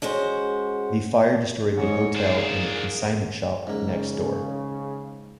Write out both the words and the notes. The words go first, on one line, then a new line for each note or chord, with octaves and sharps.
The fire destroyed the hotel and a consignment shop next door.
G#3 C#4 F#4 C5
G#2 C#5 D#5
D4 F4 G#4 A#4 C5
G#2 C#3 A#3